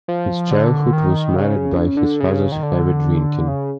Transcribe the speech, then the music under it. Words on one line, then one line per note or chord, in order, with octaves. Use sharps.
His childhood was marred by his father's heavy drinking.
F3
D3
D#3
C#3
D3
C#3
D3
C#3
D#3
D3
C#3